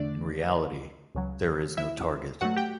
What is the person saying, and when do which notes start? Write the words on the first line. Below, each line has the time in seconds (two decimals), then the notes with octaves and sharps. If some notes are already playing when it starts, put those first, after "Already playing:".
In reality, there is no target.
Already playing: E2 D3 A3 D4 D5
1.15 C#2 C#3 F#3
1.77 E4 E5
2.41 G2 F#3 A3 F#4 F#5
2.56 G4 G5